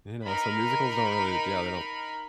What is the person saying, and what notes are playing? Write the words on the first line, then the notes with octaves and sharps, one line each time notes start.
You know, so musicals don't really yeah, they don't
D#4 A#4 B5